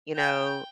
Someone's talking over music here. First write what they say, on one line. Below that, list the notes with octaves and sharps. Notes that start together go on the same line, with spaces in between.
you know,
G5